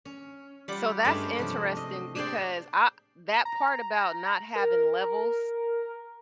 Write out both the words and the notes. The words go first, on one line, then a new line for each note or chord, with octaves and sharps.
So that's interesting because, I that part about not having levels
C#4
G3 F4 G4 F#5
G2 G#3 A3 C#4 D4 G4
C3 F3
D#5
D4 G4 G#4 C5 D5 G5
A#5
A#4